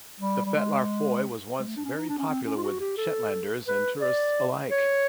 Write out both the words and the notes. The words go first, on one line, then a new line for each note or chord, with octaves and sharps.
The Fetlar Foy was once very popular with Shetlanders and tourists alike.
G3
G3
G#3
G#3
A3
D4
C#4
D#4
D4
C#4
C4
C#4
F4
F#4
G4
A4
B4
D5
C#5